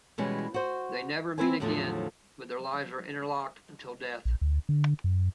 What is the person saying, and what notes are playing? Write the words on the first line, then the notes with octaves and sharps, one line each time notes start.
They never meet again, but their lives are interlocked until death.
B2 E3 G3 G#3 C#4
F#4 C5
C4 D#4 E4 B4 C5 G#5
E2 A2 D3 F3 F#3 A3
A#1
D2
D3
F#2